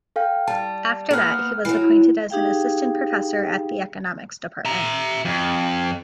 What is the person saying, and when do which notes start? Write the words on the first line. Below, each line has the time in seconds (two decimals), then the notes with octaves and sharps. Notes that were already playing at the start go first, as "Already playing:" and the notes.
After that, he was appointed as an Assistant Professor at the Economics Department.
0.16 A4 F5 G5
0.48 G3 A5
1.11 A#3 B3 G#4 F6 F#6
1.65 E3 F#3
2.30 D4 D#4 G4 G#4 F5 G5
4.65 E5 A#5
5.25 F2